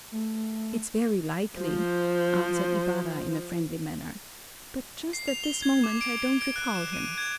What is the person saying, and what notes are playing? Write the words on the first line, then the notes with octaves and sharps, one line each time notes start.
"It's very likely," answered Ibarra in a friendly manner, "but just at this moment I don't recall him."
A3
F3 C5
C7
F7
G7
G#6
D6
D7
D7
D7
F#6
E7
D#7
G#6